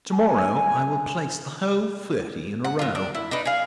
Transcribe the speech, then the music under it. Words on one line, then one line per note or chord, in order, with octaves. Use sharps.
To-morrow I will place the whole thirty in a row.
G#5
F#5
F#3 F4
D4
E4
D4 D#4 B4
G#4 F5